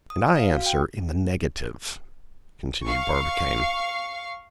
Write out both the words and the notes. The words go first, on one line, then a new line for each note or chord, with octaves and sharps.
"And I answer in the negative," continued Barbicane.
D#6
F5
F#4
G5
F5 C#6